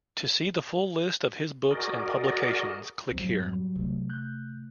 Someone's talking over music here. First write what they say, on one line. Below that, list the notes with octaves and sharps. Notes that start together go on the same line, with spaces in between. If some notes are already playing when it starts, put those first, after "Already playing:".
To see the full list of his books and publications click here.
F#4 G#4 A#4 D5 D#5
F2 G#2 F#3 C4
F#3 G3
C3 A3
F#6 G6